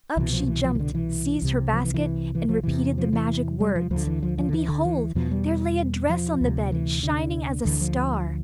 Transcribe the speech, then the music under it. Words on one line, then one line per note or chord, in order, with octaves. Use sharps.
Up she jumped, seized her basket, and repeated the magic words, and behold! there lay a dress on the bed, shining as a star.
C2 B2 E3
F3
E3
F3
E3
D3
E3
C2 C3
F3
E3
E3
E3
F3
E2 C3 E3
F3
E3
G3
F3
D2 F3
D3
E3
F3
F3
D3
E3
D3
E3
E2 B2 F3
G3
F3
D2 C3
E3
D3
D2 D3 E3
F3